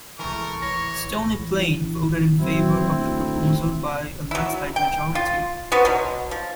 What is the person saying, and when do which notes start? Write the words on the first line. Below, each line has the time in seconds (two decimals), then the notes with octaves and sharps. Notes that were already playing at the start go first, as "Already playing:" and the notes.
Stony Plain voted in favour of the proposal by a landslide majority.
0.19 E3 G#3 A3 A#4 C#6
0.62 E3 C#5 A#6
1.39 E3
2.38 F#3 C4 E4
2.91 D2
4.31 F#3 E4
4.76 G5
5.15 F4
5.72 B3 F#4 B4 C5
5.85 B2 F#3
6.31 F3